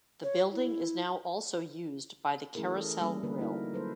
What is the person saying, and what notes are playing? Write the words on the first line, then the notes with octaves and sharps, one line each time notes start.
The building is now also used by The Carousel Grill.
C#5
E4
E3 A3 C#4 E4 G#4 A#4
A4
G3 A#3 C#4
D3 A#3 A#4 B4
A#3 D#4 E4 F#4 A#4
F#3 A4 B4 C5